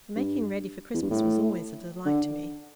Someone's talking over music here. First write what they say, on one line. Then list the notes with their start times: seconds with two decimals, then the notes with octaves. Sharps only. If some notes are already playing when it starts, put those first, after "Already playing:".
The making ready for Christmas was always a delight to me.
0.16 G2
0.94 E2
1.02 G2
1.10 A2
2.06 D3